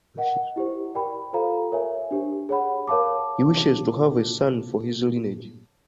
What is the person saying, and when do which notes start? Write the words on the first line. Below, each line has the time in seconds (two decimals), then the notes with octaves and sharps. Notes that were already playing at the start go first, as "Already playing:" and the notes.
He wishes to have a son for his lineage.
0.17 A#4 D#5 F#5
0.56 E4 G4 C5
0.94 G4 A#4 D5 G5 B5
1.33 F4 A4 C5 F5 A#5
1.72 A#4 C#5 E5 G#5
2.11 D4 G4 C5
2.49 G#4 C#5 F#5 B5
2.87 A#4 C#5 F5 A5 D6